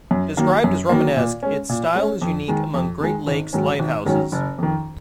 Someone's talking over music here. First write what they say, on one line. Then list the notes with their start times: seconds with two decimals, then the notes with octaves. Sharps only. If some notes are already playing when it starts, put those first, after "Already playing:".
Described as Romanesque, its style is unique among Great Lakes lighthouses.
0.11 F#2
0.37 D#3 F#3 A#3
0.64 F#2
0.89 D#3 F#3 A#3
1.16 A#2
1.43 G#3 C#4
1.69 A#2
1.95 G#3 C#4
2.22 F2
2.48 D#3 G#3
2.74 F2
3.00 D#3 G#3
3.27 G#1
3.53 G#2 D#3 F#3 C#4
3.80 G#1
4.05 G#2 D#3 F#3 C#4
4.32 F#1
4.58 F2 D#3